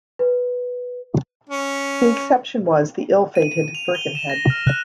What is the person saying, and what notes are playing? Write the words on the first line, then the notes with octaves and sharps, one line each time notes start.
The exception was the ill-fated "Birkenhead".
B4
C#4
D#7
F7
G7
E7
A#6
F6
F#6